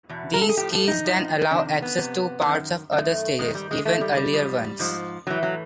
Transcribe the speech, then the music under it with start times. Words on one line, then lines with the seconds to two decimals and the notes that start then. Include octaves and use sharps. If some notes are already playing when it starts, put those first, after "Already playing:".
These keys then allow access to parts of other stages, even earlier ones.
0.09 E2 B2
0.34 A#4
0.41 A4
0.49 G#4
0.57 A2 F3 G4
0.72 A4
0.88 D#4
1.04 A2 F3
1.50 F2 C3 D#3 D4
1.82 B3
1.97 F2 C3
2.45 F#2 D#3
2.92 F#2 D#3 A3
3.39 G#2 D#3 G#3
3.55 G3
3.71 G#3
3.85 G#2 D#3 A3
4.01 G3
4.17 G3
4.33 G#2 F3
4.79 G#2 F3
5.27 A2 E3 F#3
5.43 F#3